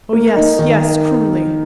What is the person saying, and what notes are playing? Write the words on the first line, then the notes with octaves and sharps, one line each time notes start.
"Oh, yes, yes, cruelly!"
A#3
D#4
D#3